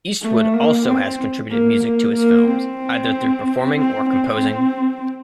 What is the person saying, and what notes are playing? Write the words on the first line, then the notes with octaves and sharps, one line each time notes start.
Eastwood also has contributed music to his films, either through performing or composing.
A3
A#3
C4
A#3
A#3
A#3
C4
C4
C4